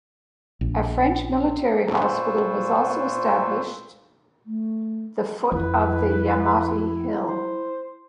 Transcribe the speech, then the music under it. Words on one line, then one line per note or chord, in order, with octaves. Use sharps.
A French military hospital was also established the foot of the Yamate hill.
A#1
A#2 F4 B4 C5 C#6 E6
A3
F2 E4 B4
C5